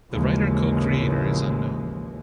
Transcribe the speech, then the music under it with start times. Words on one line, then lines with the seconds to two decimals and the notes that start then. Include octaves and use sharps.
The writer co-creator is unknown.
0.12 A1 D#2 C#3 E3 F3 G#3